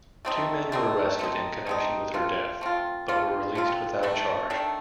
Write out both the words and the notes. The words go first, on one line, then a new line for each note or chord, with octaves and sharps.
Two men were arrested in connection with her death, but were released without charge.
A3 C4 D#4
A3 C4 D#4
A3 C4 D#4
A3 C4 D#4
A3 C4 F4
A3 C4 F4
A3 C4 F4
A3 C4 F4
D#3 A3 D4 A4
D#3 A3 D4 A4